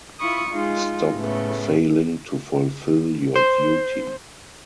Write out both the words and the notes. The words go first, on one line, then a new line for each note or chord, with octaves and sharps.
Stop failing to fulfill your duty.
E4 F4 B5 C#6 D#6
G#3 D#4 F4
A2 C#3 A3 B3
C5